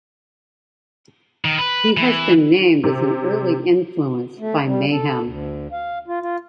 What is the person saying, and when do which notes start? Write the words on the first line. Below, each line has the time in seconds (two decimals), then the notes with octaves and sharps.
He has been named as an early influence by Mayhem.
1.45 D#3
1.58 B4
1.97 E3
2.84 C3
4.38 A3
4.65 G3
4.90 A4
5.23 D2
5.72 F5
6.07 F4
6.21 F4